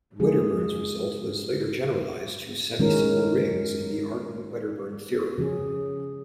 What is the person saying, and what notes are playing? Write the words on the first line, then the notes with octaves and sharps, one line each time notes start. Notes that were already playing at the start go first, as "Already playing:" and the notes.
Wedderburn's result was later generalized to semisimple rings in the Artin-Wedderburn theorem.
C#3 F3 G#3 F4 G#4
D#3 G#3 C#4 A#4
C#3 F3 C#4 G#4